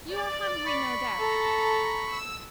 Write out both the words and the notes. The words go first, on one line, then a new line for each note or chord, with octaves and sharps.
You are hungry, no doubt.
D5
B5 C#6
A4 A#5
E6